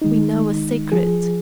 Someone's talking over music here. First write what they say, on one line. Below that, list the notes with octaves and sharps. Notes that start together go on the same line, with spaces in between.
"We know a secret!"
D#3 G#3 D#4
F3 G#4